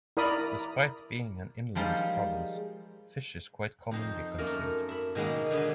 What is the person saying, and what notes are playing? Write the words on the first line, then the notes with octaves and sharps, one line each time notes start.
Despite being an inland province, fish is quite commonly consumed.
E4 A#4 D5 B5 D#6
F3 G3 G#3 A#3 D#4
F2 D#4 C5
F#2 A3 A#3 A#4
E5 B5
B2 D#3 G#3 A#3 B3
D3 B3 D4 D#4 G#4 B4